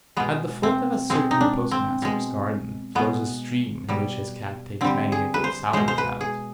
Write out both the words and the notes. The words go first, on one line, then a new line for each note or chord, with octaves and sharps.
At the foot of a certain post-master's garden, flows a stream in which his cat takes many a good salmon-trout.
B2 G#3 B3
C4
B2 G#3 C4
D#4
D4
C4
B2 G#3
B2 G#3 B3
B2 G3
D3 G3 C4
G#4
B4
C5
B2 G#3 C5
C5
B4
G#4